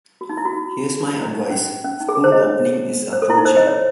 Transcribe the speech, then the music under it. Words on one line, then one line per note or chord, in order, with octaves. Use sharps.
Here’s my advice. School opening is approaching.
F#4
D#4
E4
F#4
D#4
E4
D#4
C#4
C#4
D#4
G#4
A4
C5
D#5
C#5
C5
A4
E4
D#4
C5
D#5
C#5